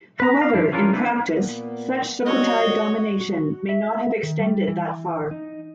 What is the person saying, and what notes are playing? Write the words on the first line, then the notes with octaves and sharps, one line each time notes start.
However, in practice, such Sukhothai domination may not have extended that far.
B4 A#5
F5
F3 A3 D4 E4
E3 C#4 D4 F4 A#4
A#3 C4 D4 E4 B4
A#2 A#3 B3
A#2 G3 F#4 C#5 D#5
F#4
E5
D#3
G3
E3
D#4